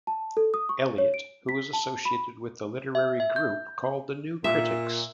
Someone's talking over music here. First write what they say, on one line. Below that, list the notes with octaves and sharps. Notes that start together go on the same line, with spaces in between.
Eliot, who is associated with the literary group called the New Critics.
A5
A4
D#6
C#6
C#5
D7
B6
A5
B5
E5
E5
G6
A#2 E5